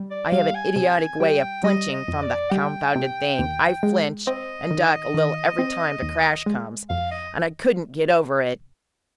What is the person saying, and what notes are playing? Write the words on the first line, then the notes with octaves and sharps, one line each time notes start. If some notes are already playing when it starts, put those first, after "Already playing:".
I have an idiotic way of flinching from the confounded thing--I flinch and duck a little every time the crash comes, and I couldn't get over it.
Already playing: G3
D5
G3 F5
G#5
C3 G#5
G3 G5
G3 D#5
D#5
F2
D5
G3 G5
C3
D#2
G#3
C4 D#5
D#3
D#3
C4
D#2
G#3
F2 F5
D#5